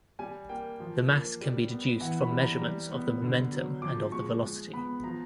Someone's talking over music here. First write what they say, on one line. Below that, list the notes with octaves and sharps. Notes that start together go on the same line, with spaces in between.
The mass can be deduced from measurements of the momentum and of the velocity.
G3 G#5
A#3 G5
F3
A#3
G3
B3
E3 F#5
B5
G3
A#5
G3
B3
D3
F#3
F3 D6
G#3 C#6
G#3
B3 B5
F3 A#5